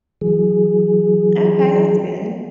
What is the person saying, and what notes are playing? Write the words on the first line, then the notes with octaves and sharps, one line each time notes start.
Okay, that's good.
E3 F#3 G#4